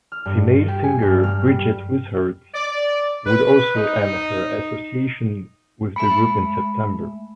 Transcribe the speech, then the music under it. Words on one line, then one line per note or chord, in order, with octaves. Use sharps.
Female singer Bridget Wishart would also end her association with the group in September.
F6
G2
G4
G#5
G2
F6
G3
D5
B4
D#4
G#3 A3 E5 B5